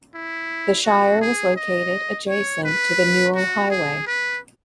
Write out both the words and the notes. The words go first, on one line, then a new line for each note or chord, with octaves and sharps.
The Shire was located adjacent to the Newell Highway.
E4
F#4
G#4
D#5
C#5
B4
F#4
G#4
B4